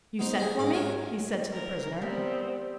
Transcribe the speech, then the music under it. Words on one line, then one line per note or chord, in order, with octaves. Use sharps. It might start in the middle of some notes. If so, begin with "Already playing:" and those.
"You sent for me?" he said to the prisoner.
B3 D#4 C5
G#4 C5 D#6
G#2 D#5 D6
F#4 A#4 C#5
A#4
G3 B3 C4